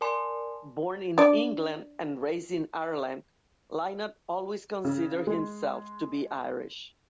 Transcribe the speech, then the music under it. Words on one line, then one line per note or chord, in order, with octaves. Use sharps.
Born in England and raised in Ireland, Lynott always considered himself to be Irish.
A#4 D5 G#5 A5 C6
D4 D5
C#3
G#3